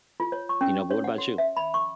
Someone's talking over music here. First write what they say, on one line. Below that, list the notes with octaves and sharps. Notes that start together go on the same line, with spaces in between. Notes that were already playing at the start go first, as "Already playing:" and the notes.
you know? But what about you?
F4
C#5
C#6
C#4
C#5
F#5
F#4
E5
B5
C#6